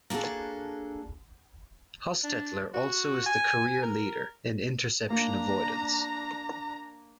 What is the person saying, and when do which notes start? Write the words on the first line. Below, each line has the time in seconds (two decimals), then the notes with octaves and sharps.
Hostetler also is the career leader in interception avoidance.
0.10 A#3 D4 F#4 G#4 A4
2.24 D4
2.74 F#4
3.26 G#5
3.82 A#4
5.10 A#3 D4 A#5